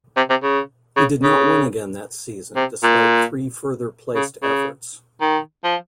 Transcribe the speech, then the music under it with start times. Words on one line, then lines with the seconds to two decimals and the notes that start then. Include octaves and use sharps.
He did not win again that season despite three further placed efforts.
0.17 C3
0.30 C3
0.43 C#3
0.96 C#3
1.23 C#3
2.56 C3
2.83 A#2
4.15 C#3
4.42 C#3
5.21 D#3
5.64 F3